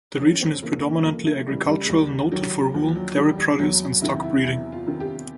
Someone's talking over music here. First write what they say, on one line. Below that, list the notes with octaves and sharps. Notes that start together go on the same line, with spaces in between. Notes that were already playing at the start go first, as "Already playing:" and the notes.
The region is predominantly agricultural, noted for wool, dairy produce and stock breeding.
F2 C#4
C4
C#3 E3 A#3
A#3
F2 A#3
A3
C#3 E3 G3
G3
G#3
D#2 G3
D#3 F#3
D#2 F3
F#3
D#3 G3
G3
E2 F#3
C3 D#3 E4
E4
E2 E4
F4
C3 D#3
G4